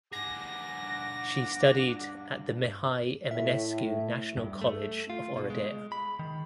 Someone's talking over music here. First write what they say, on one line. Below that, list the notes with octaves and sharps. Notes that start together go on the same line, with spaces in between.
She studied at the Mihai Eminescu National College of Oradea.
G2 G#4 F#5 D6 A#6
A2 E5
G2
A3
F4
B2
G#3
B5
D#3